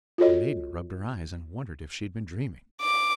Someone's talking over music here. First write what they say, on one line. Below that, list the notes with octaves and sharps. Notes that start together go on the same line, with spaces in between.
The maiden rubbed her eyes and wondered if she had been dreaming.
F4 F#4 A4 C#5 D#5
D6